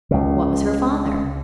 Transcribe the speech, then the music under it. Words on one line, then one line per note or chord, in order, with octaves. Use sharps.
"What was her father?"
C#2 C#3